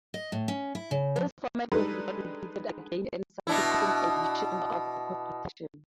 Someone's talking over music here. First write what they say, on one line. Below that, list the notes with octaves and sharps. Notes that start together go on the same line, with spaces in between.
This format was not repeated again in subsequent editions of the competition.
D#5
A2
C#4
E4
C#3
F3
G3 G#3 D4 D#4 A4 B4
B2 D4 E4